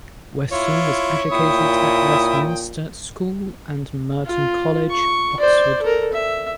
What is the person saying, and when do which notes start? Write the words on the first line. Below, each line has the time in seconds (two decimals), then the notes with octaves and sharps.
Weston was educated at Westminster School and Merton College, Oxford.
0.52 E4 F4 C#5
1.32 A#2 E4 G5 D#6
4.26 F4
4.90 C#6
5.40 C5 D5
5.82 A4 A#4
6.13 E5